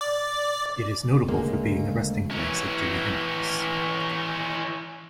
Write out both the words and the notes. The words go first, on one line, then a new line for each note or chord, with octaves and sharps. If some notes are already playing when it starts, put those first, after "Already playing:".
It is notable for being the resting place of Jimi Hendrix.
D5
D2 C#3 G#3 A#3
E3 C#4